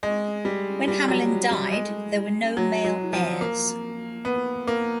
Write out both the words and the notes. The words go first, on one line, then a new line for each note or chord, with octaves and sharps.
When Hamelyn died, there were no male heirs.
G#3
G3
G3
F#3
G3
G#3
F#3
F#3
F3
A#3
B3
A#3